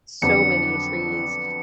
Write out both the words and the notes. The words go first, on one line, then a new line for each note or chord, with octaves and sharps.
so many trees,
F2 D3 F#3 B3 D4 C#7